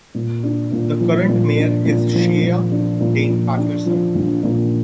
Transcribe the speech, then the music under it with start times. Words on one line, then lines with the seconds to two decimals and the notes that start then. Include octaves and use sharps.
The current mayor is Shea Dane Patterson.
0.14 A#2
0.43 D4
0.72 A#2
1.00 F3
1.29 A#2
1.58 D4
1.86 A#2
2.15 F3
2.43 A#2
2.72 D4
3.00 A#2
3.29 F3
3.57 D4
3.86 F3
4.15 A#1
4.43 A#2